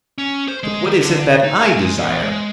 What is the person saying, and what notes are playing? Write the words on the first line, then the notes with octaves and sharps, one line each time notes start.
But what is it that I desire?
C#4
C5
G#3
D#3
D3
D#4
G#5
G#3
E2
G#3